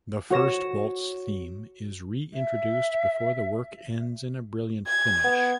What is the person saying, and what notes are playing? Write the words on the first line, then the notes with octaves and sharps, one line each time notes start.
The first waltz theme is re-introduced before the work ends in a brilliant finish.
F#4 C#5 A#6 E7
E5
G#6
B3